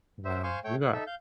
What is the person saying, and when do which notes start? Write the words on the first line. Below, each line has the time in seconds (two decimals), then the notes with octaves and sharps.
Wow. You got
0.25 C5 E5
0.43 C5 F5 G#5 C6 C#6
0.64 A3 C#5 G5
0.81 F#6
0.93 D#4 A4 E5
1.07 F5 G6